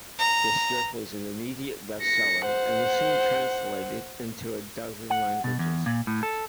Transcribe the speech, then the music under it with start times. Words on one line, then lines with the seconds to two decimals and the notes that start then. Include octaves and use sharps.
The strip was an immediate bestseller and was soon translated into a dozen languages.
0.19 A#5
2.02 A#6 C#7
2.46 C5 F#5
5.10 F#5
5.44 B2
5.59 E2
5.86 A#2
6.07 A2
6.23 A4